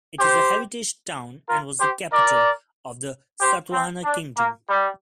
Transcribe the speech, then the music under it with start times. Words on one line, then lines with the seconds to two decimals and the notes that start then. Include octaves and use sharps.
It is a heritage town and was the capital of the Satavahana Kingdom.
0.19 G4 C5
1.47 F4 A#4
1.79 G4 C5
2.11 A#4 D5
3.40 G4 C5
3.72 C4
4.04 D4
4.36 A#3
4.68 G3